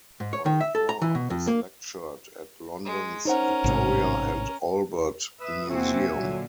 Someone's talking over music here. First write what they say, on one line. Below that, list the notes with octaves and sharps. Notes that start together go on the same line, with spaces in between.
Balfour has lectured at London's Victoria and Albert Museum.
G#2
C#5
D#3
E5
A4
A#5
E3
B2
F2
A#3
G#3
C#4 D#4 A#4 C5 F#5
A1 G#2 C3
B4 E5 D#6
C3 A#3 C4 F#4 E5 G#5
A#2 D3 F#3